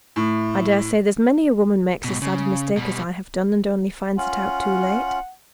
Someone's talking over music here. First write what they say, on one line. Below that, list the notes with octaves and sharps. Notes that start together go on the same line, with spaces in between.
'I dare say, there's many a woman makes as sad a mistake as I have done, and only finds it out too late.
A2
G#2 B2
C#3
B2 G3
C#4 F4 F#5